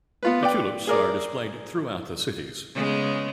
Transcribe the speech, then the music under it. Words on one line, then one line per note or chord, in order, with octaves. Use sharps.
The tulips are displayed throughout the cities.
B3 F4 B4
B4 D5 G5
G#4 A#4 D5
C#3 G#3 B3